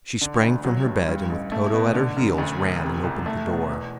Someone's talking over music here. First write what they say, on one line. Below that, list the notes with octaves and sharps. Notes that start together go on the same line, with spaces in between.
She sprang from her bed and with Toto at her heels ran and opened the door.
D3
D2
F#3
G2
G2
A1
A3
B2
D3
F#2
D2
E1
C3
C2
A3
B2
E2